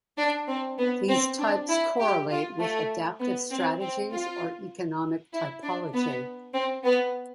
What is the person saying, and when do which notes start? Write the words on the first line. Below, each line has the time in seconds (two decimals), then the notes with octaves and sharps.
These types correlate with adaptive strategies or economic typology.
0.17 D4
0.48 C4
0.78 B3
1.09 C4
1.39 D4
1.69 E4
1.99 G4
2.30 F4
2.60 A3
3.21 B3
3.51 C4
3.81 C4
4.12 F4
5.33 E4
5.63 D4
5.93 B3
6.54 C4
6.85 B3